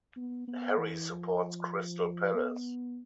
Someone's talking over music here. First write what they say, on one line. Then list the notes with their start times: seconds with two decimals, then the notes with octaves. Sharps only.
Harry supports Crystal Palace.
0.17 B3
0.48 B3
0.79 E3
1.10 F3
2.35 B3